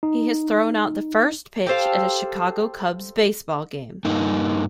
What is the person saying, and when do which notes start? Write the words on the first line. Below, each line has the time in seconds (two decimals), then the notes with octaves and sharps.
He has thrown out the first pitch at a Chicago Cubs baseball game.
0.03 D#4
1.67 G4 A4 C5 F5
4.05 G2 A#3 D#4